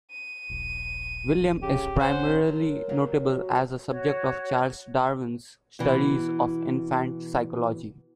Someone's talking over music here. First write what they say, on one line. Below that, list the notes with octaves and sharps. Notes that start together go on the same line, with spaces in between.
William is primarily notable as a subject of Charles Darwin's studies of infant psychology.
D#7
D#1 A#1
C#3 G4
C#4 C5 F#5
F#3 A#4 A5
F#3 G3 A#3
F#4
F#4 C#5
B2 E3